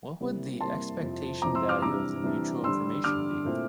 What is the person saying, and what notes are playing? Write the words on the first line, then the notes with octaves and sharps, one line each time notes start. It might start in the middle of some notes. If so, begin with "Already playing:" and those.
What would the expectation value of the mutual information be?
C3 G3 A#3 E4
C3 G3 A#3 E4 A5 C6
F2 C3 F3 C4 E4
F2 C3 F3 C4 E4 A#5 D6
C6 E6
D6 F6
C3 E3 G3 D4 A#5 D6
C3 E3 G3 D4
D3 G3 D4 C6 E6
D3 G3 D4 D6 F6
A#2 A3 C4 E4